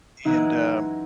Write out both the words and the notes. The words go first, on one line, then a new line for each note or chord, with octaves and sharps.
and, um,
F#2 E3 G#3 D#4